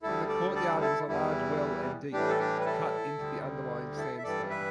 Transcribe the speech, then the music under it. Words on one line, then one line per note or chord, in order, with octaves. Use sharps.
In the courtyard was a large well and deep, cut into the underlying sandstone.
D2 D3 G3 E4 A4
A4 D5
A4 D5
E4 A4
E2 E3 G3 E4
A2 E3 G3 D4 G4
A4
D4 G4
B4
E4 A4
D2 D3 G3
E4 A4
E5
G2 E3 G3 A4 D5
B4 E5